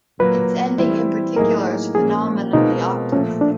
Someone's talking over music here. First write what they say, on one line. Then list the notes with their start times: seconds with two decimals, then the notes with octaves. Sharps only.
Its ending in particular is phenomenally optimistic.
0.19 A#2 F#3 A#3 B4
0.78 E3 G3 C4 E4
1.36 A2 F#3 A#3 D#4 G#4 A#4
1.94 A#2 F3 A#3 C#4 G#4
2.53 B2 G#3 C4 D#4 F4 A#4
3.12 A#2 F3 A3 C#4
3.41 D4